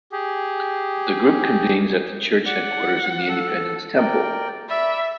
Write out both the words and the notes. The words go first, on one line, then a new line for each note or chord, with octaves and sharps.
The group convenes at the church headquarters in the Independence Temple.
G4 G#4
D5 F#5
A4
A#4 D5 G5
D5 E5 B5